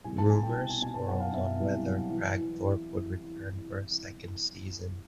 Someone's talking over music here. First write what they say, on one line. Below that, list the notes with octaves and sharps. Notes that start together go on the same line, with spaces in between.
Rumors swirled on whether Kragthorpe would return for a second season.
C2 G#5
A5
C2 G#5
G5
B2
G#5
B2 G#5
A5
F#3 F#5
F5
B2 E5
E5
C2
F#3
E3
E3